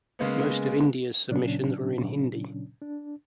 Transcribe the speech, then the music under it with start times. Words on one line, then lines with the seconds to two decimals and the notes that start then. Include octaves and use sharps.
Most of India's submissions were in Hindi.
0.19 C#3 G#3 A#3 B3
1.31 A#2 C#3 F#3 C#4 D4
2.82 D4